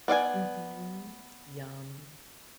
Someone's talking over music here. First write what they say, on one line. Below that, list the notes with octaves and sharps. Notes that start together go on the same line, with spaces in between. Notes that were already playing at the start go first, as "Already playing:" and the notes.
Mhm. Yum.
B3 D5 F5 G#5